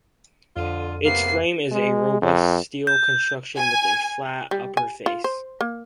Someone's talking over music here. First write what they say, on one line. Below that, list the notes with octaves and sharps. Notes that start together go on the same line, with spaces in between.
Its frame is a robust steel construction with a flat upper face.
F2 D3 F4 D#7
C3 A#3 B3 C7
G#3
F2
G6
G#5
G3
G#5
F4
C5
A#3